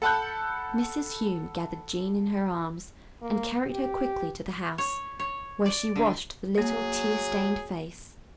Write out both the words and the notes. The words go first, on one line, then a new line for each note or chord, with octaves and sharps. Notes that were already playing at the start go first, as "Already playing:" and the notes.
Mrs. Hume gathered Jean in her arms and carried her quickly to the house, where she washed the little, tear-stained face.
A4 F#5 A5 B5 F#6 G6
A#3
G4
C#5
C#5
D5
D3
F#3 A#3 G#4